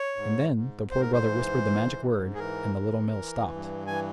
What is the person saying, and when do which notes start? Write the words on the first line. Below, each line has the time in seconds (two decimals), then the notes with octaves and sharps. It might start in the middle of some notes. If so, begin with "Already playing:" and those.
And then the Poor Brother whispered the magic word, and the Little Mill stopped.
Already playing: C#5
0.16 G#2
0.53 G#2
0.90 G#2 C5
1.01 A#4
1.12 C5
1.28 E3
1.65 G#2
2.02 G#2
2.35 G#4
2.39 E3 A#4
2.76 E3
3.14 E3
3.50 G2
3.87 E3 G#5